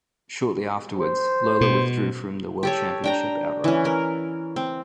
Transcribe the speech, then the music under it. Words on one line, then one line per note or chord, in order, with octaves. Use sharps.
Shortly afterwards, Lola withdrew from the World Championship outright.
C5
B2
G4 A4 C#5
D4 G5 A#5
E3 C#4
A#4
C4